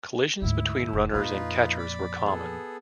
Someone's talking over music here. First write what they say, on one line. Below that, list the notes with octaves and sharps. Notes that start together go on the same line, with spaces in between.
Collisions between runners and catchers were common.
D2 G#2 E4
F1
F2 A#2 D#4 F4 B4
D5 B5
B3 G#4 A4